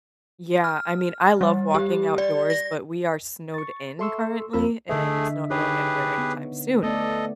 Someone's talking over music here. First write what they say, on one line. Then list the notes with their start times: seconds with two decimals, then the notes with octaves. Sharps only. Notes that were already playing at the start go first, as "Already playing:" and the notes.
Yeah, I mean, I love walking outdoors, but we are snowed in, currently, and it's not going anywhere anytime soon.
0.64 F6
1.41 G3
1.75 G4
2.18 D5
2.50 A#6
3.54 C#6 A6
3.99 A4 E5 C6 C#6 E6
4.53 F2 C4 F4 A#4 B5 E6
4.89 D3 A3 G#4 D#5 E5
5.50 D#4 G4 G#4 B4 C#5
6.18 B3
6.83 A3 B3 A4 D5 D#5